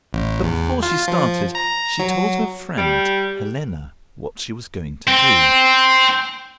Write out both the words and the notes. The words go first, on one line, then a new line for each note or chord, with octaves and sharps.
But before she started, she told her friend, Helena, what she was going to do.
A1
E2
F4
F3
A#5
F#3
G3
C4